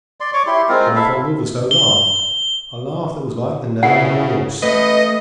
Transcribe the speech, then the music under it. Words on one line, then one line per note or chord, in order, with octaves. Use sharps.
Whereupon Wolverstone laughed, a laugh that was like the neighing of a horse.
D5 C6
C#5 C#6 D6
E4 G4 C6
G#3 C4 F4 A#4
E4 A4 E5 F5
G7
C#3 E4 F#5
A3 B4 D#5